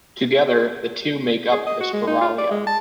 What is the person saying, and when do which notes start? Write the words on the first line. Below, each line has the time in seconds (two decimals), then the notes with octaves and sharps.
Together the two make up the Spiralia.
1.52 G#4
1.66 D#5
1.81 F#4
1.93 G#3
2.07 D#4
2.22 F4
2.38 D5
2.51 G#3
2.67 A5